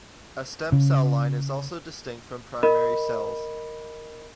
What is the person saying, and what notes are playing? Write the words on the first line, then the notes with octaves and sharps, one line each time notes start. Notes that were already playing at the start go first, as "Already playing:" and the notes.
A stem cell line is also distinct from primary cells.
C#3
A#4 D#5 B5